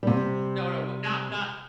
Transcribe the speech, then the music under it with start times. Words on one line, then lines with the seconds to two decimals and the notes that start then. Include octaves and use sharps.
No, no, w not not
0.03 C3 G3